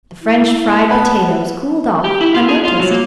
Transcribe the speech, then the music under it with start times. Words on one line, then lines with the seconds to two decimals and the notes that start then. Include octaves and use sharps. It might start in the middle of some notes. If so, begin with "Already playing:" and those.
The French fried potatoes cooled off, unnoticed.
0.22 E4
0.90 B3 B4 A5
2.04 G4
2.21 E4
2.34 F4
2.48 G#4
2.65 F4
2.80 F#3
2.91 A#3